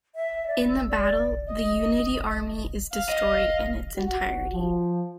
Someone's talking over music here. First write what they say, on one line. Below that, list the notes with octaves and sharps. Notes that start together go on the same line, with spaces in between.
In the battle, the Unity Army is destroyed in its entirety.
E5
D5
E6
D5
D5
D#5
F5
D#5
F#4
F3